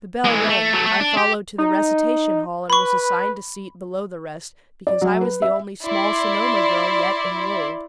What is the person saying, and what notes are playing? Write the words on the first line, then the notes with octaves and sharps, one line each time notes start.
The bell rang, I followed to the recitation hall, and was assigned a seat below the rest, because I was the only small Sonoma girl yet enrolled.
E3 G#3
A3
F#3 A3
A3
D4
G4
D#4
B4 B5 C#6
D5
F#3
B4
E5
E4 D5 C6